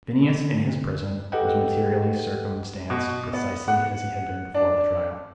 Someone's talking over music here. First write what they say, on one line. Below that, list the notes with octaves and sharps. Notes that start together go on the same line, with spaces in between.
Phineas in his prison was materially circumstanced precisely as he had been before the trial.
D3
G4 A4 B4 D#5 F#5 G5
B2
B3
F#5
D4